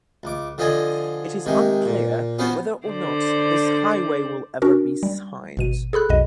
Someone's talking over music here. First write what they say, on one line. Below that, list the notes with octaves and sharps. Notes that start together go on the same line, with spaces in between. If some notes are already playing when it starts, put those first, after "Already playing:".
It is unclear whether or not this highway will ever be signed.
C#2 D6
D3 F3 F4 D#5 G#5
C3 D#3 G#3
A#2
B3 C#4 F4 F#4 C5
D3 C5 D5
C#4 D4 F#4 A#4
G3
G#1 B2 D#7
G#4 A4 B5 F#6
B1 F2 B2 D#5